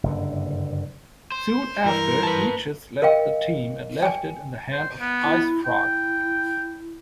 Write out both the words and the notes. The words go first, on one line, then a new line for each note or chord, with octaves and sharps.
Soon after, Neichus left the team and left it in the hand of IceFrog.
F#1 G2 D3
C5
G2 E3 A#4
B4 A5
A#4 D#5 F5 G5
G5 G#5
C5
B3
E4
E4 G5